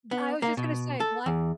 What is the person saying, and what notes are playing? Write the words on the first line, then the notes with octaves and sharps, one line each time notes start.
Yeah, I was just gonna say black
B3
A#3
B2
A4
E2